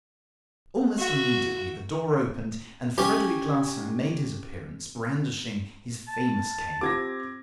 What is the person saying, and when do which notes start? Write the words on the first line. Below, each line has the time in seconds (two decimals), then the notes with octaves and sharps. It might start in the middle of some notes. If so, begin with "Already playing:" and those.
Almost immediately the door opened and Frederic Larsan made his appearance, brandishing his famous cane.
0.98 F#4 E5
2.98 C#4 G4 G#5
6.08 A5
6.81 C4 F4 G4 D6 G#6 A#6